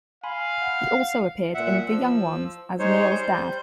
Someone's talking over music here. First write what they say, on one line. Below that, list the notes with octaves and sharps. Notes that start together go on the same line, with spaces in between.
He also appeared in "The Young Ones" as Neil's dad.
F5 G#5 B5 C6
F#5
A#2 E5 F#5
F3 E6
G#3 D#4 C5 C#5
G3 C5 G6